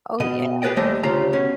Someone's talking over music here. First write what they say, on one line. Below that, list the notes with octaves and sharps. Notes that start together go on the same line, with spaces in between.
Oh, yeah.
B2 D#5
G4 G#4 B4 D5 D#5 G5
D#2 G3 A3 G4 C5 D#5
D2 C#3 F4 G4 C5 A#5
B2 C#4